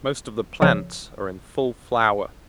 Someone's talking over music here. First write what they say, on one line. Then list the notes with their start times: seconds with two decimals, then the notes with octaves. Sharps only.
Most of the plants are in full flower.
0.62 A#1 C#3 F3 C#5